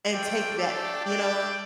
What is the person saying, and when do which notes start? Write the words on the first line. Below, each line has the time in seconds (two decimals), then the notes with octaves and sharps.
And take that, you know,
0.11 A3 C4 F4 D5 G5
0.58 A3 D4 G4 A4 D5
1.04 A3 D4 G4 D5 G5